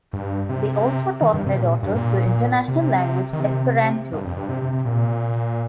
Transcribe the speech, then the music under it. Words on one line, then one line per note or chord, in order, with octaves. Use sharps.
They also taught their daughters the international language Esperanto.
G2
C3
D#3
G2
C3
A#2
G2
A#2
C3
D#3
C3
G2
F2
G2
C3
C3
C3
A#2